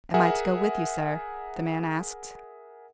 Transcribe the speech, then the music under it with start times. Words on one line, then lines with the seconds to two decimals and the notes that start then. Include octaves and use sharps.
"Am I to go with you, sir?" the man asked.
0.14 G#4 A#4 E5 F#5 G#5